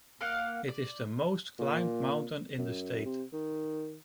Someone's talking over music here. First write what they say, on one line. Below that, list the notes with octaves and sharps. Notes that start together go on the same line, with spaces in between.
It is the most climbed mountain in the state.
A#3 F5 F#5
D5
A#2
F#2
C3
D#3